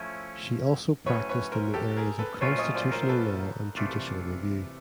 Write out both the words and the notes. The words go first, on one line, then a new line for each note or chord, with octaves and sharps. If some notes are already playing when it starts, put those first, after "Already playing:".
She also practiced in the areas of constitutional law and judicial review.
Already playing: F3 A3 C#4 E4 C5
A2 F#3 A3 C#4 B4 C#5
B4 C#5
A#4 C5
G4 A4
G#4 A#4
A4 B4
A#2 F#3 A3 C#4 F4 B4 C#5
C#5 D#5
C5 D5
A#4 C5
C5
A4 B4
C3 E3 A3 D4 F4